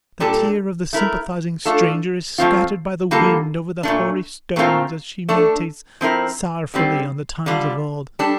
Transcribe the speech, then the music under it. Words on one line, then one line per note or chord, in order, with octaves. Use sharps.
The tear of the sympathising stranger is scattered by the wind over the hoary stones as she meditates sorrowfully on the times of old!
A#2 G3 D4 A4
A3 E4 A#4
A3 D4 F4 A4
F3 A3 C4 F4
D3 G3 A#3 F4 A4
A#2 A3 D4
A#2 A3 C4 F4 A#4
A3 D4 A4
F3 C4 E4 A#4
D3 G3 C4
D3 G3 D4 F4
G3 D4 A4